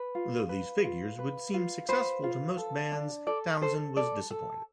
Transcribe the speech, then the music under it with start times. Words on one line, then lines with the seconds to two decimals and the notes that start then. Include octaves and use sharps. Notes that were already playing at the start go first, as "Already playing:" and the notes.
Though these figures would seem successful to most bands, Townshend was disappointed.
Already playing: B4
0.15 F4
0.49 B4
0.84 F4
1.19 B4
1.54 F4
1.89 B4 C5
2.23 F4
2.57 A4
2.92 D4
3.27 A4 D5
3.62 A4 C5
3.97 A4 D5
4.31 A4